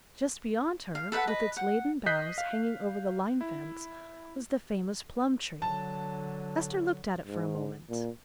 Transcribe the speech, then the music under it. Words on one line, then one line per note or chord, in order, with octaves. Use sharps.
Just beyond her, with its laden boughs hanging over the line fence, was the famous plum tree. Esther looked at it for a moment.
F5
A4 B4 E5 F#5
B4 D#5
F#5
D#5 F#6 G6 B6 C7
F5
E4
D3 F#3 A5
G#2
A#2